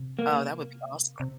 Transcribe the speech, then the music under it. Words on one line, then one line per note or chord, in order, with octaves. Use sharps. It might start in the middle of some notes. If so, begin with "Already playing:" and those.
oh, that would be awesome.
Already playing: C3
A#3
C3